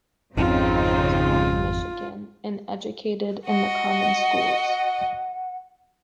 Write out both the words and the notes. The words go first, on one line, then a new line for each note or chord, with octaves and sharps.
Jeffords was born in Michigan and educated in the common schools.
G#1 F2 C#3 C4 D#4 F4
F#4 D#5 F#5